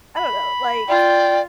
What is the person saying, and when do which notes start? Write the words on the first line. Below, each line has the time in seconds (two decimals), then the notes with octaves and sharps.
I don't know, like,
0.16 B5
0.88 F4 D5 G5